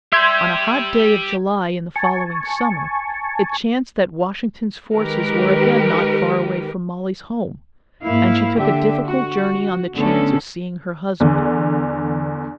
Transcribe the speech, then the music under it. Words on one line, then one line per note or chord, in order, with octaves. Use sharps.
On a hot day of July in the following summer it chanced that Washington's forces were again not far away from Molly's home, and she took a difficult journey on the chance of seeing her husband.
G4 D5 E5 C6 G6 G#6
G#5 A5 C#6
D#3 G#3 G4 A#4 B4
G#2 A#3 E4 F5
D3 G4 E5
F#4
D3 A3 B3 C#4 A4
E2 D3